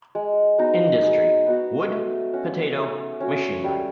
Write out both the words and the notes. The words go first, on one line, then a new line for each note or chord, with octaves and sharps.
Industry: Wood, potato, machinery.
G#3
B3 D#4 F#4
G#3
B3 D#4 F#4
A3
C#4 F#4
A3
C#4 F#4
G3